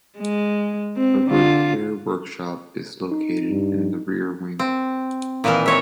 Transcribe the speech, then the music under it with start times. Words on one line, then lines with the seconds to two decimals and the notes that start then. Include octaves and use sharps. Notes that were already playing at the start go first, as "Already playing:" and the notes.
A repair workshop is located in the rear wing.
0.18 G#3
0.97 C4
1.28 D3 F4
3.12 D#4
3.50 G2
4.59 C4
5.44 A#2 D#3 E3 D#4 A#4
5.66 C4 C#5 E5